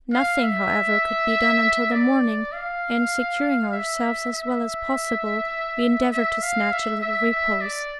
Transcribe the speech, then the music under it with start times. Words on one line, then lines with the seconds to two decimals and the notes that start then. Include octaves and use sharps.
Nothing, however, could be done until the morning, and, securing ourselves as well as possible, we endeavoured to snatch a little repose.
0.13 F5
0.43 E5
1.92 D5
2.53 F5
3.72 E5
4.32 E5
6.12 E5
6.42 F5
6.72 E5
7.01 E5
7.31 E5
7.61 D5